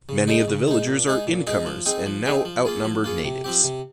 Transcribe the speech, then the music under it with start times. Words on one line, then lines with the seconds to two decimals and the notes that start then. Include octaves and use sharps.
Many of the villagers are "incomers" and now outnumber "natives".
0.09 C#3
0.28 G#3 D#4
0.48 C#3
0.67 G#3 D#4
0.87 A#2
1.07 G#3 D#4 G#4
1.27 A#2
1.47 G#3 D#4 G#4
1.66 F3
1.86 C4 D#4 G#4
2.06 F3
2.26 C4 D#4 G#4
2.45 F3
2.65 A#3 F4 G#4
2.85 F3
3.04 A#3 F4 G#4
3.24 C3
3.44 F3 C4 G4
3.64 C3